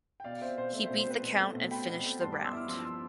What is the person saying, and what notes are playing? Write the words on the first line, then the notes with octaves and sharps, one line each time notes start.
He beat the count and finished the round.
G5
B2 D5 F5
C4 C5 E5
B2 C5
A3 C5 E5
C5 E5
B2
C5
C4 B4
B2
A3
B2
C4 G5 B5
B2
A3
G2 A5 C6
B3 B5 D6
C6 E6
E4 D6 F6
F3 C6 E6
C6 E6